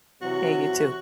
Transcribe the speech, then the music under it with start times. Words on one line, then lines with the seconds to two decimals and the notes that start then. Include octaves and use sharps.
Hey, you too.
0.21 C3 E3 F#3 F#4